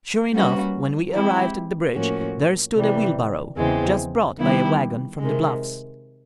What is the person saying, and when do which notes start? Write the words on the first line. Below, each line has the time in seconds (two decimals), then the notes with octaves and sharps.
Sure enough, when we arrived at the bridge, there stood a wheelbarrow, just brought by a wagon from the Bluffs.
0.31 G3 A#3 C#4 F#4 B4
1.12 E3 G#3 C4 E4 G4
1.94 A2 F3 A#3 C#4 F#4
2.75 C3 E3 G3
3.57 E2 C#3 E3 G#3 C4
4.38 D#3 G3 B3 E4 G4
5.19 C3 D#3 G#3